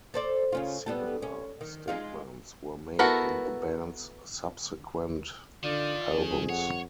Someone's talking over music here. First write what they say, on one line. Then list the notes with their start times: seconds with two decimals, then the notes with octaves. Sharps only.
Similar statements were made in the band's subsequent albums.
0.14 A4 C5 D5
0.52 C#3 C#4 F4
0.86 G3 B3 A4
1.22 C#4
1.61 D#3
1.88 G#3 D#4 F4
2.99 B3 E4 F#4 A4 A#4
5.63 D3 D#3 F4 D5
6.14 F2 G#4
6.49 C#5 F#5